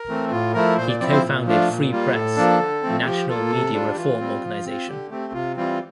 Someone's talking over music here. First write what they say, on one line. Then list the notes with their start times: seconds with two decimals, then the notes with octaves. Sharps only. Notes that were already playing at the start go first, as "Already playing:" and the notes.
He co-founded Free Press, a national media reform organization.
Already playing: A#4
0.09 E3 A3 C4
0.31 A2 F4
0.54 F3 A3 E4 A#4
0.77 A#2 C5
0.89 D5
1.00 F3 C4 E4 D5
1.12 C5
1.23 A#2
1.46 F3 A3 D4 F4
1.68 A#2
1.91 G3 A#3 F4
2.14 A2 A4
2.37 F3 A#3 D4
2.60 D3
2.82 F3 A3 C4
3.05 F3 G4
3.29 A#3 F4 A4
3.51 C3
3.73 G3 D4 F4
3.92 G4
3.96 E3 F4
4.20 G3 C4
4.42 F3
4.64 C4 F4
4.87 D3 G4
5.10 A3 C4 G4
5.33 C3 F4
5.56 E3 G3 C4 F4